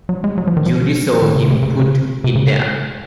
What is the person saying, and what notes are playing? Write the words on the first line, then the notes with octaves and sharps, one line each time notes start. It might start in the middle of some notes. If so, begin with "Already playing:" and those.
Judy saw him put it there.
F#3
G#3
F#3
F3
D#3
F3
D#3
C#3
C3
C#3
C#3
C3
C#3